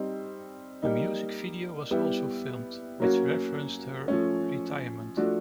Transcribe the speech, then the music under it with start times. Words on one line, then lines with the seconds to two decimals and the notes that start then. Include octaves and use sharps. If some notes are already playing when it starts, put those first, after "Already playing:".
A music video was also filmed which referenced her retirement.
Already playing: G3 C4 D#4
0.82 G3 A#3 D#4
1.91 G3 B3 E4 G4
3.00 F#3 A#3 C#4 F#4
4.08 F3 A3 C#4
5.17 F3 A3 D4 F#4